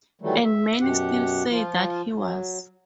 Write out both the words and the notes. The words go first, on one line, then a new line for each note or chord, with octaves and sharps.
And many still say that he was.
D#3 E3 F#3 G3 A3
E5
F#2 B2 G4 F#5
F3 F4
F#3